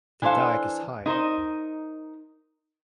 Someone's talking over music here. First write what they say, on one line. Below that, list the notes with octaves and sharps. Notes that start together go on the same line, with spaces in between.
The dyke is high.
E3 D4 A4 C5 F5
D#4 A#4 C5 D#5